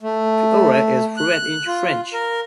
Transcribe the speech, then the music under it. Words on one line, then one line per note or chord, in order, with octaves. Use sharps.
Feore is fluent in French.
A3
F#6
F4
A#4